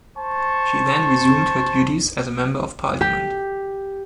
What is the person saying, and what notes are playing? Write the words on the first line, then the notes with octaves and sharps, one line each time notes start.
She then resumed her duties as a member of parliament.
C5 A5 C#6
G4